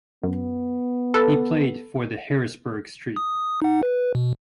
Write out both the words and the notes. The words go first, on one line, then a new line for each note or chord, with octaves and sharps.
He played for the Harrisburg–St.
F#2 B3
A4 B4
D#6
D#4 F#5
B4
B2